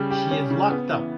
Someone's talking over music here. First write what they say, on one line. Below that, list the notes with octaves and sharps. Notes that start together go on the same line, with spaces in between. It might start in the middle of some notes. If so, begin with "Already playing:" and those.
She is locked up.
Already playing: C#3 G3 C#4
G4
C#4
C#3
B3
E3